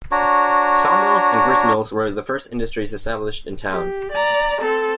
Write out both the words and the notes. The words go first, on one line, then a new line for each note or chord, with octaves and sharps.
Saw mills and gristmills were the first industries established in town.
D4 F#4 C#5 A#5
G4
D5 A#5
C4 A4